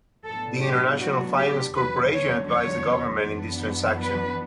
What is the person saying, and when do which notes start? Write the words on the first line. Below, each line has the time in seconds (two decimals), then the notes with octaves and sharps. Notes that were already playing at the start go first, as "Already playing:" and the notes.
The International Finance Corporation advised the government in this transaction.
0.24 A2 F#3 B3 D4 A4
0.63 G4
1.00 F#4
1.37 G4
1.75 E2 D3 F#3 C#4 B4
2.13 C#5
2.51 C#5
3.26 F#2 E3 B3 D4
4.01 B4